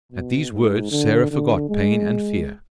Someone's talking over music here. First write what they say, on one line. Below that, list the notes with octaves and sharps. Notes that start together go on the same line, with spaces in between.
At these words Sarah forgot pain and fear.
B2
G#2
D3
D3
G#3